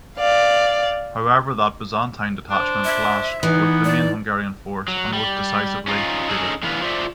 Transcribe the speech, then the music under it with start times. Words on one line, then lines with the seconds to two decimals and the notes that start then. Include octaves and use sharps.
However, that Byzantine detachment clashed with the main Hungarian force and was decisively defeated.
0.18 D5 F5
2.51 D4 C5
2.85 E5
3.43 E3 B3 D#4
3.85 D5
4.88 F#3
5.13 G3
5.87 C#4 D#4 F4
6.30 C#4 D#4 G#4 A4
6.63 A2 D3 E3 B3 B4 F5
6.82 F4 C5 D5 E5